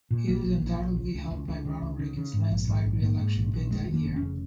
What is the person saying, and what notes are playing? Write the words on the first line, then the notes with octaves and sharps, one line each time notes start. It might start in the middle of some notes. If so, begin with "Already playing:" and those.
He was undoubtedly helped by Ronald Reagan's landslide reelection bid that year.
A#2
A#1 A#3
A#1
A#1
A#1
C#2
C#2
C#2
C#2
C#3
C#2
C#3
C#3
G#2
A#1
G#2
A#1
G#2 A#3
G#2
A#1
A#1
F1 G#3
D#2
A#3
F1
C#4
C#3